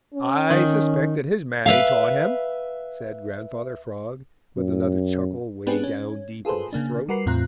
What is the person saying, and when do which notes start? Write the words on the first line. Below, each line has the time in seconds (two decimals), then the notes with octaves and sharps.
"I suspect that his mammy taught him," said Grandfather Frog, with another chuckle way down deep in his throat.
0.14 C#4
0.50 D#3
1.66 B4 C#5 E5 F5
4.57 F#2
5.67 B3 C4 D4 G4 G#4 B4
5.84 C#4
6.45 F4 G#4 A4 B4 C5
6.73 C#3 A#3 D4
7.09 G3 F#4 A#4 B4 C7
7.26 E2 A2 C4 F4 A#5 F#6